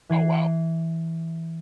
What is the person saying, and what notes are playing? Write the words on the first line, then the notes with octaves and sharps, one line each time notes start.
Oh, wow.
E3 G#6 C7